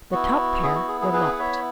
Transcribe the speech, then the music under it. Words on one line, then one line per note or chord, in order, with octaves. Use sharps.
The top pair were locked.
B3 E4 F#4
G#4
F#4
G#4
G#4
G#4 B4
F#5
C#5 E5